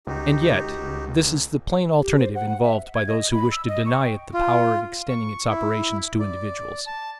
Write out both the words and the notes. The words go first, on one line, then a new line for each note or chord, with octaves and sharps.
And yet this is the plain alternative involved by those who wish to deny it the power of extending its operations to individuals.
C#2 D#4 F#4 G4
G4
C5
F#5
F#5
E5
G#6
D#5
B5
E6
D#5
C#6
G5
F4
C#6
E4
D5
A5